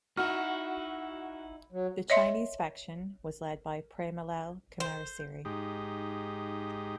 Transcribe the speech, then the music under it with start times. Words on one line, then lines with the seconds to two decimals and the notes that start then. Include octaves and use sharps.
The Chinese faction was led by Premalal Kumarasiri.
0.17 D#4 E4 F#4 F6
1.72 F#3
2.10 C#5 D#5 E5 C6
4.80 C5
5.45 G#2 D#4 G4